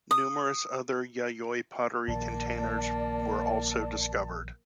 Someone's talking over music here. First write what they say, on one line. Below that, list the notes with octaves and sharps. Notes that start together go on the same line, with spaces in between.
Numerous other Yayoi pottery containers were also discovered.
D#6
A#1 D#3 A#3 D5 A5